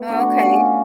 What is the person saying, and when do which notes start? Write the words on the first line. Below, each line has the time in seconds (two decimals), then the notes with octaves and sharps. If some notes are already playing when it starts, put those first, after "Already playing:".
Oh, okay.
Already playing: A3 B3
0.09 D4 F#4
0.40 C#4 F4